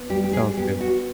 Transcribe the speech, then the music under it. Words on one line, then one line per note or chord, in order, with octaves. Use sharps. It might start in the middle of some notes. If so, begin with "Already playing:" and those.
Sounds good.
Already playing: B3
G3 G4
G4
G#4
B3 G4
F#4